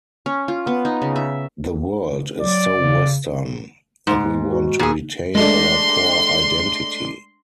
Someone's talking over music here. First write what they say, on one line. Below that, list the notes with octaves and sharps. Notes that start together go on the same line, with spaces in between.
The world is so Western, and we want to retain our core identity.
C#4
F4
B3
D#4
C#3
E5
F#3 D5
C#3
G#2
F#4
A#2 G#4
G#3 A3 D4 C6